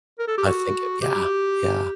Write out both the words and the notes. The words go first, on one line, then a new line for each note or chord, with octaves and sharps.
I think it yeah, yeah.
A#4
A4
G4
F#4
G4